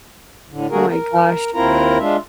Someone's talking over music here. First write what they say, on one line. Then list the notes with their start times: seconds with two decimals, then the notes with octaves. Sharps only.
Oh my gosh.
0.50 A2 D3
0.70 D3 A3 A#3 F#4 G#4 A#4
0.89 A#4
1.54 D#2 C4 E4 F4 A#4 A#5
1.99 G#3 D4 F4 E5